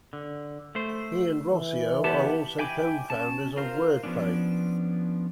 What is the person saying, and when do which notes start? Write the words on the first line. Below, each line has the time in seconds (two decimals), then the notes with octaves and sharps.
He and Rossio are also co-founders of Wordplay.
0.13 D3
0.75 A3 C5
1.52 E3
2.04 B3 G4 A5
2.59 E5 G5 G#5 B5 D6
3.10 C#4 A5
3.57 F4 A#4 C5 F5
4.04 F3 B3 C#4 D4